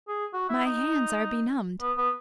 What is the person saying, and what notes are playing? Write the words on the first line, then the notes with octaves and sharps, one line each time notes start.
"My hands are benumbed."
G#4
F#4
E4
D#4
B3
B3